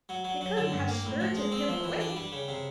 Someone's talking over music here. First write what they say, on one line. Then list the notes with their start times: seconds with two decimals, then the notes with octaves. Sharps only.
"They couldn't have spirited him away."
0.09 F#3
0.24 F#3
0.41 F#3
0.57 D3
0.72 G2
0.88 A#3
1.05 A2
1.20 F3
1.36 G#3
1.52 C4
1.68 F3
1.84 E3
2.00 D4
2.16 G3
2.32 C#3
2.48 C3